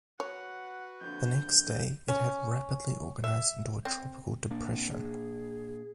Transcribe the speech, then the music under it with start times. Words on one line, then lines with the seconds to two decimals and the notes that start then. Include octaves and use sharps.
The next day, it had rapidly organized into a tropical depression.
0.20 F#4 B4 C#5 F#5
1.01 F2 D3 G6
2.08 C#4
3.24 E5
3.85 C4
4.50 A#2 A#3 D4
4.72 C4
4.91 G#4